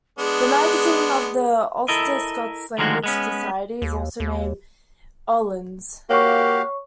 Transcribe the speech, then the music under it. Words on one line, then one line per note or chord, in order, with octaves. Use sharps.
The magazine of the Ulster-Scots Language Society is also named "Ullans".
G#3 B3 D4 G#4
E4 A4 A#4 D#5
D3 D#3 F3 G#3 A#3 F#4
G#3 B3 C#4
D#2
D#2
A#3 F#4 G4 C#5 F5 C#6